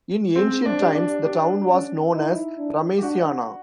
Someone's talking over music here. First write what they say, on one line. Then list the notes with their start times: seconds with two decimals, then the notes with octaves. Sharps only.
In ancient times, the town was known as Remesiana.
0.36 C4 G#4
0.66 D4
0.81 G4
0.95 D4
1.25 D4 G4
1.69 C#4
2.13 D#4 E4
2.58 D4
2.98 G4
3.03 D4 F#4